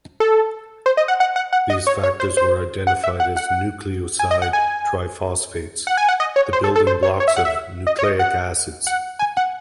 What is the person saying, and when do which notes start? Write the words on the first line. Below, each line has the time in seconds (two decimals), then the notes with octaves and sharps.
These factors were identified as nucleoside triphosphates, the building blocks of nucleic acids.
0.20 A4
0.86 C5
0.97 D#5
1.08 F#5
1.20 F#5
1.36 F#5
1.53 F#5
1.70 D#5
1.87 C#5
2.03 C#5
2.20 C5
2.37 C5
2.87 F#5
3.04 E5
3.20 F#5
3.37 F#5
4.19 G#5
4.31 D#5
4.42 F#5
4.53 G#5
5.87 F#5
5.97 G#5
6.09 F#5
6.20 D#5
6.36 C#5
6.53 C5
6.64 A4
6.76 A4
6.87 C5
7.03 C#5
7.20 C#5
7.28 E5
7.36 F#5
7.45 E5
7.87 D#5
7.99 C#5
8.04 D#5
8.19 F#5
8.87 F#5
9.19 G#5
9.37 F#5